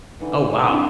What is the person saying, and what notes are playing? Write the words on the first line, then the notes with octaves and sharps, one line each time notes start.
Oh, wow.
D3 E3 D#4
C4 D4 E4 F#5